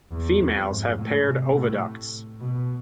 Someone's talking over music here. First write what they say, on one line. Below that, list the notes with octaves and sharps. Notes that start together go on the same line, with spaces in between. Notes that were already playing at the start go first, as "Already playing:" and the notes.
Females have paired oviducts.
E2
F2
G#2
A2
C3
A2
B2